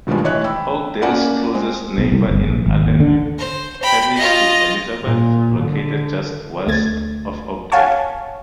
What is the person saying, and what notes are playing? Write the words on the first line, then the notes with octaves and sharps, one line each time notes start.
Oakdale's closest neighbor in Allen Parish is Elizabeth, located just west of Oakdale.
G2 B2 D#3 F3 G3 G#3
A1 E3 C#5 D#5 F#6
G5 B5 E6
A#3 C#4 D5 F#5 G#5 A5
G#3 C4
B1
C2
G1
A#1
G#1
D#2
D3
C5
G5 B5
F4 D#5
A#2
D3
D2 A3 G#6 A6
C#5 F5 F#5 G#5 A5 C#6